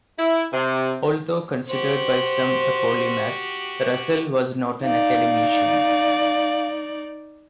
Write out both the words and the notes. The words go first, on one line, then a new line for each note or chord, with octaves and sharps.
Although considered by some a polymath, Russell was not an academician.
E4
C3
F#4 G4 C5
D#4 D5 F5